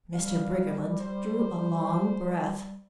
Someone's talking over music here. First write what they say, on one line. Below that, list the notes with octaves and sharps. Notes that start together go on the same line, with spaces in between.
Mr. Briggerland drew a long breath.
G3 F5
C5